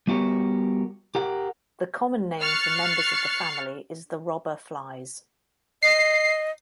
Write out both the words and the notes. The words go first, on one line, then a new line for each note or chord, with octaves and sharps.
The common name for members of the family is the robber flies.
G3 B3 F#4 G4 A#4 C#5
G4 A#4 F#5
C#6 F6 F#6 A6 C7 C#7
D#5 C7